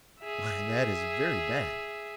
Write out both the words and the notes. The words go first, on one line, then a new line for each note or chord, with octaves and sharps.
Why, that is very bad!
G#4 E5